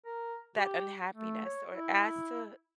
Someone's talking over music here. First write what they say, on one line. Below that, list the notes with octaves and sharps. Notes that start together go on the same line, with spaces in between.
that unhappiness or adds to,
A#4
G4
A3
C#5
E4